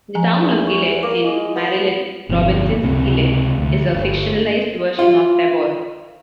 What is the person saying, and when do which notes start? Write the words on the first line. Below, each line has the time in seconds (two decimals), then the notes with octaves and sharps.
The town of Gilead, in Marilynne Robinson's "Gilead", is a fictionalised version of Tabor.
0.15 F3 G#5 A#5
0.42 E2
0.67 C#6
1.03 A#3 D6
1.25 G#3 E4
1.55 B3
2.29 G1 F2 B2
2.83 C#2 C3
3.58 D2
3.93 G1
4.99 F4